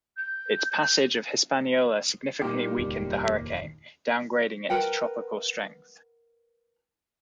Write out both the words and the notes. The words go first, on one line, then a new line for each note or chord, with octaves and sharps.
Its passage of Hispaniola significantly weakened the hurricane, downgrading it to tropical strength.
G6
A#2 G3 A#3 D#4 G4
F1 D#2 D#3
A#4 B4 F#5 G5